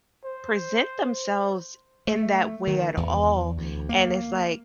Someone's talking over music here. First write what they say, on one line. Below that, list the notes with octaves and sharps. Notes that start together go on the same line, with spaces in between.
present themselves in that way at all," and it's, like
C5
A3
D#3
E2
D2
A#3